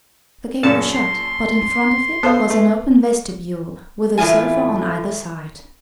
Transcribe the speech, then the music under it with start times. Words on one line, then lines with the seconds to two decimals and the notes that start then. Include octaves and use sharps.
The gate was shut, but in front of it was an open vestibule with a sofa on either side.
0.63 F#2 A#2 C#3 A5 C#7
0.95 C6
2.23 B3 A4 C5 F5
2.50 A3
4.18 A2 E3 G#3 A3 F4 G#5